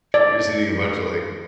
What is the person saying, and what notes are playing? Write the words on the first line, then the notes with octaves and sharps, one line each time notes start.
you're just eating a bunch of, like,
D5